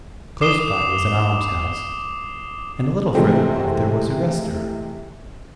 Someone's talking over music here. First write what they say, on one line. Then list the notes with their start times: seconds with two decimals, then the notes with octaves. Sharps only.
Close by was an almshouse, and a little further off there was a restaurant.
0.41 D6 D#6 C7 E7 G7
3.15 C3 E3 G#3 A3 C4